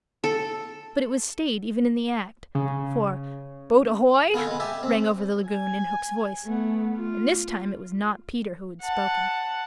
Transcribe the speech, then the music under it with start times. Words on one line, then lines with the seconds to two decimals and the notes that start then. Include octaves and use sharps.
But it was stayed even in the act, for "Boat ahoy!" rang over the lagoon in Hook's voice, and this time it was not Peter who had spoken.
0.24 A4
2.55 C#3
4.34 B3 F4 G#4 A4
4.47 G#3 B3
4.60 G4 E5 G#5 A5
4.83 C4
5.49 G#5
6.45 A3 B3
6.96 F4
8.82 F#5 A5